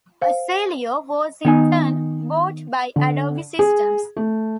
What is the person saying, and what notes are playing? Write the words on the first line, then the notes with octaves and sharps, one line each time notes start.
Accelio was in turn bought by Adobe Systems.
C5 F5
D#3 B3 D#4 G#5
D3
G#4
A3